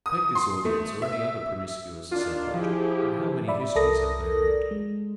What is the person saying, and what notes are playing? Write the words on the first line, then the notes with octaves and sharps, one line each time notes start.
Take this audience, or any other promiscuous assemblage, and how many histories have they read?
D#6
C6
A3
E5
D#3 D4 F4
F3 E4 G4 G#4
D5 E5 B5
C2 A4 A#4 D5 D#6 A#6
G#3